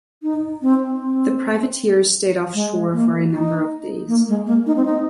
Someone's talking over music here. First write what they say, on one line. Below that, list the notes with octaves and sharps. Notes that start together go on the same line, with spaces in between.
The privateers stayed off shore for a number of days.
D#4
C4
C4
G#3
A#3
D#4
A#3
G#3
A#3
D#4
C4
D#4